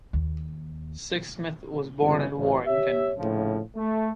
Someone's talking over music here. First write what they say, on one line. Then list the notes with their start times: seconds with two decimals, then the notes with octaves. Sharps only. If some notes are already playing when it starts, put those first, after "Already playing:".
Sixsmith was born in Warrington.
0.13 D#2
2.02 G1 C#3 E3 G#3
2.35 A1 D2
2.66 G4 C#5 E5
3.18 A#1 A2 C#3 F3
3.77 A3